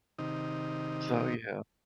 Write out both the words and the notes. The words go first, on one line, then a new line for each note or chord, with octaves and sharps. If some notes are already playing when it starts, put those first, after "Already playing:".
so, yeah.
C3 D#3 D#4